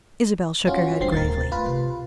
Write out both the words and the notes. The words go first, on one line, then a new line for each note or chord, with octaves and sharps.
Isabel shook her head gravely.
G2 C#4 F4 F#4
D3 E3 G3 C4 C7
D1 A2 A#4 A6
A3 F4 B4
C3